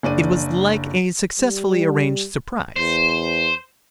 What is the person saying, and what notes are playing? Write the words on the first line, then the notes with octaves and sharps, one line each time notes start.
It was like a successfully arranged surprise.
F#1 D4 D5 D#7
G3
E2 C5